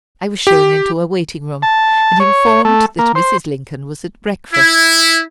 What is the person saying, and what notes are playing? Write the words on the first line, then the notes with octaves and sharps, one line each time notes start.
I was shown into a waiting-room, and informed that Mrs. Lincoln was at breakfast.
G4
A5
C#5
A3
A#3
C5
E4